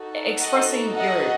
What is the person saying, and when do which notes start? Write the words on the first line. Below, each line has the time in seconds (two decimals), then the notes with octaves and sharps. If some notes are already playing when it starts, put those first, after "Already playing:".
e expressing your
Already playing: D#4 F#4 A4
0.40 D#5 F#5
0.94 D#5 F#5